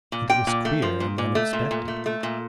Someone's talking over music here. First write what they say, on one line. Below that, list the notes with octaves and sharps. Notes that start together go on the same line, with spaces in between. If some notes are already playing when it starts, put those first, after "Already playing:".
And it was queer and unexpected.
A#2
A#2 G5
A#2
A3
F3
A#2
A#2
A3
A#2
A#2
A3
A3
A#2